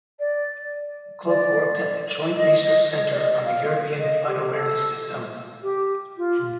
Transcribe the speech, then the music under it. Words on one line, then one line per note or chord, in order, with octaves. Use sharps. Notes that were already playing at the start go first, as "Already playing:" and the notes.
Cloke worked at the Joint Research Centre on the European Flood Awareness System.
D5
D5
D#5
D#5
D#5
D5
D#5
F5
D#5
G4
A4
G4
F4